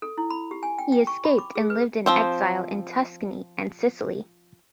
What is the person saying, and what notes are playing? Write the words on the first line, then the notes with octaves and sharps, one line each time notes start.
He escaped and lived in exile in Tuscany and Sicily.
A4
E4
B5
G4
G#5
G5
G5
C#6
B5
D6
G#4
B4
F3 C4 C5